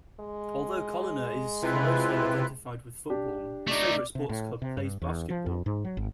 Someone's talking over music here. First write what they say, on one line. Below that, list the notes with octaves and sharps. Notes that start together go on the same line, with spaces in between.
Although Collina is closely identified with football, his favourite sports club plays basketball.
G#3
C3 E4 F4 B4
D4 G4
A3 D#4 D5
C3
A2
C3
G2
E2
F3
F2
G#2
F#3
G#1